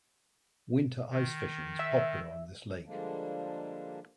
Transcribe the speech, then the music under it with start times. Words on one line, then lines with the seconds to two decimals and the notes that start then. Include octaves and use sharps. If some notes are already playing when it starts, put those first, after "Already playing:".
Winter ice fishing is popular on this lake.
1.11 D#3
1.79 E5
2.86 D3 F3 G3 G#3 A#3 D4